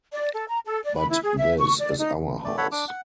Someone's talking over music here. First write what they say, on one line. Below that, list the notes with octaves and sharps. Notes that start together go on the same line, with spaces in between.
But this is our house.
D5
A4
A#5
A4
D5
B5
E4
G#4
E5
C#6
D5
D#4
A3 D5
A4 C#5 F#5 B5
D4 D6
F#5